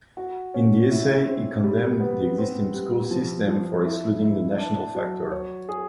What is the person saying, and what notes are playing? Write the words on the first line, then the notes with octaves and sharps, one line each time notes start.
In the essay he condemned the existing school system for excluding "the national factor".
F#4
C#4
E4
C4
G3
B3
C4
G3
F3
F3
E4
E4
D4
F#3
C#5
G#4